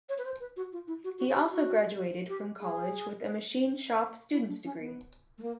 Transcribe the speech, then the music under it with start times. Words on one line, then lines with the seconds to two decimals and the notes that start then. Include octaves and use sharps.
He also graduated from college with a machine shop student's degree.
0.09 C#5
0.18 B4
0.25 C5
0.40 B4
0.57 F#4
0.72 F4
0.87 E4
1.04 F#4
1.19 F#4
1.30 G#4
1.35 G4
1.51 F#4
2.29 G4
2.60 G#4
4.32 E4
4.48 D4
4.64 C#4
4.80 B3
5.38 A3
5.42 A#3